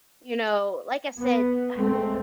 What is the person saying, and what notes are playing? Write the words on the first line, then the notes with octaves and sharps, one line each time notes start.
you know, like I said, uh,
B3
G#3 A3 C4